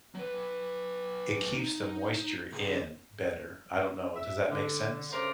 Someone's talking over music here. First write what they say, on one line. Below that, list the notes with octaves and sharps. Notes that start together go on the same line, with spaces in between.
it keeps the moisture in better. I don't know, does that make sense?
F#3 B4
D#4
C2 G#4
E5
D3
G2 C#3 A3 A#4 C5 D5